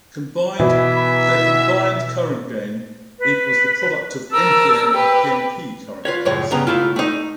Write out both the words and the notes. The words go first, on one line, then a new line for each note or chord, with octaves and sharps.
Their combined current gain equals the product of npn and pnp current gains.
B2 E3 E4 E5
B4
A#4 A5 E6
G4 B4
F4 B4 C#5
C#2 F#2 A2 F3 C#5
G2 C#3 B3 A#5
C#2 A3 E4 F4
A3 D#4